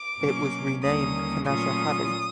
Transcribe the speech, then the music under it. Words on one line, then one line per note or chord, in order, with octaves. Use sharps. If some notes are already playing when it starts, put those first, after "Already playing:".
It was renamed Canajoharie.
Already playing: D6
B2 F#3 A#3 C#4
D#2 D3 G3 A#3 C#4 D#6
A#2 F#3 A3 C#4 F4 D#6